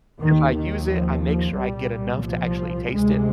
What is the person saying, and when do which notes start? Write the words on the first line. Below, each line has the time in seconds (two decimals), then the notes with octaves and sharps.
If I use it, I make sure I get enough to actually taste it,
0.21 D#2 D#3
0.55 D#3
0.88 F3
1.22 F3
1.56 C2 A#2 G3
2.24 F3
2.93 D2 C3 G#3